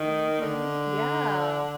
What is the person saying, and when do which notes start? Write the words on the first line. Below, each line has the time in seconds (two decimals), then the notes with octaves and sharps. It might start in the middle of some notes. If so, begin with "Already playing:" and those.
Mhm, yeah.
Already playing: D#3
0.42 D3